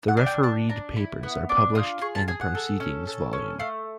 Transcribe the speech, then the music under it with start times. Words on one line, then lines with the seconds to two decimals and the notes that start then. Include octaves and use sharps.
The refereed papers are published in a proceedings volume.
0.08 F#5
0.17 D4
0.26 G5
0.43 D4 A5
0.69 D4 A#5
0.96 E4 B5
1.23 B3
1.49 D4 D6
1.75 F4 D#6
2.01 G#4 C#6
2.15 A5
2.28 G#4 G#5
2.41 F#5
2.55 A4
2.80 C#4
3.07 A4
3.33 C#4
3.59 A3 F5